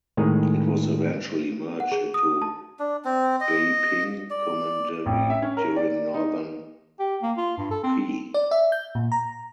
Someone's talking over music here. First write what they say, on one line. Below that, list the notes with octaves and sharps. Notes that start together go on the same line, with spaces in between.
It was eventually merged into Beiping Commandery during Northern Qi.
A2 D#3 G#3 G#4
F#5
G#4
D#6
A5
D4
C4
D#5
D5
A1
E5
C#4
A#4
D5
D#4
G4
A#3
F4
G2
A4
C4
D5
E5
G6
A#2
A#5